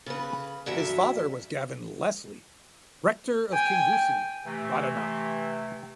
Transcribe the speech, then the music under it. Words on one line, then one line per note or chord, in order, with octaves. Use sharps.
His father was Gavin Lesley, rector of Kingussie, Badenoch.
C#3 B4
G2 E3 F#3 E5
G5 G#5
C3 E3 A3